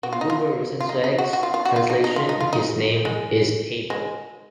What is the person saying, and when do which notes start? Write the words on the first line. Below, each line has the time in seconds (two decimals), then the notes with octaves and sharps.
In Buber Rosenzweig’s translation his name is “Habel”.
0.03 F#4
0.13 F4
0.21 D#4
0.30 F4
0.80 F4
0.89 D#4
1.04 D#4
1.18 F#4
1.33 F#4
1.43 F4
1.54 F4
1.65 F#4
1.76 F4
1.90 D#4
2.04 D#4
2.16 F4
2.29 D#4
2.40 F4
2.53 D#4
3.05 G#3
3.90 G#3